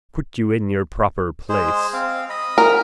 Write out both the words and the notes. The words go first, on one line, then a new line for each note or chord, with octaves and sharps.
Put you in your proper place.
G#3 G#4 C5
C4 F5
D#5 B5
A#4